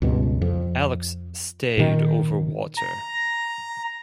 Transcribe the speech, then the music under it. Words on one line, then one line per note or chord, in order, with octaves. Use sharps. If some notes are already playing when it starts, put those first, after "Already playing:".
Alex stayed over water.
C#2 G2 B2
F2
A#2 D#3
A#5